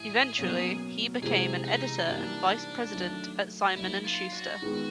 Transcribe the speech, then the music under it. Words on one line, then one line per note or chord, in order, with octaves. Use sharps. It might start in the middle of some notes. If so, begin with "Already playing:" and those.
Eventually he became an editor and vice-president at Simon and Schuster.
Already playing: A2 E3 G3 E4 G#4
B2 F#3 A#3 C#4
C3 E3 G#3 C4 G#4
D#4
E3 G3 A#3 D4 D#4
D#3 F#3 A3
F#3 A#3 D#4 E4
F4
F#4
D#3 G#3 B3